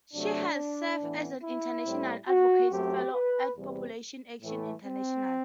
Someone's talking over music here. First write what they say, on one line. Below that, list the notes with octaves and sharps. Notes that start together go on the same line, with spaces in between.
She has served as an international advocacy fellow at Population Action International.
C3 F#3 A3 D4
A2 E3 B3
E4
A2 G3 C4
F#4
F#2 F#3 A3 C4 G4
B4
E2 C3 E3 G3 C4
A2 E3 A3
C4